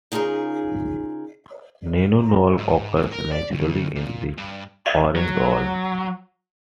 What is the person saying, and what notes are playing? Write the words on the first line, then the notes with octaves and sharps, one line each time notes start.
Nonanol occurs naturally in the orange oil.
C#3 D#4 F4 G#4 A#4
G#2
G#2
A#4
D5
D2
A#2
G2
F#3